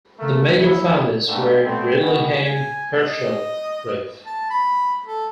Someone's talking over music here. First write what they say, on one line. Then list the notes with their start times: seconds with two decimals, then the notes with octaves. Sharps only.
The major founders were Ridley Haim Herschell,Rev.
0.19 A3 A#3 A4 A#4
0.57 D#2 A#2 C#3 E4
1.28 G#2 B2 D3 G3 A3 A#3
1.65 G3 A3 B3 C4
2.01 B2 E3 G3 G#3 F#4 G#4
2.44 G#5
3.00 D#5
4.26 A5
4.50 B5
5.06 A4